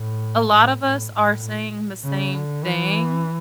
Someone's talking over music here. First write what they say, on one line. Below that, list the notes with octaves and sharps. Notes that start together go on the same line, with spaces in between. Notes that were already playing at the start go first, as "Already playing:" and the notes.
a lot of us are saying the same thing,
Already playing: A2
A2
A2
A2
C#3
D3
E3